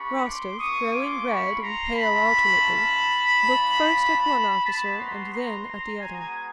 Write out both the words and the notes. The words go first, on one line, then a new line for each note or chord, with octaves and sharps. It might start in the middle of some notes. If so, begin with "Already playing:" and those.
Rostov, growing red and pale alternately, looked first at one officer and then at the other.
Already playing: A#3 D4 G4 B5 C#6
C6 D6
A#3 C#4 F4 C#6 D#6
C6 D6
B5 C#6
A#5 C6
A3 C#4 F4 A5 B5
B3 D4 F4
B3 D#4 F#4 A5 B5
A#5 C6
A#5 C6
A#5 C6
G#3 B3 D#4 F#4 G#5 A#5